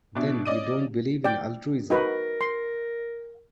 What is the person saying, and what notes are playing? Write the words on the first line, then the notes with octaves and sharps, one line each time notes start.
Then you don't believe in altruism.
B2 D4 E4
C#4 D5 D#5 D#7
D5 G5
D#4 F#4 A#4 B4
C6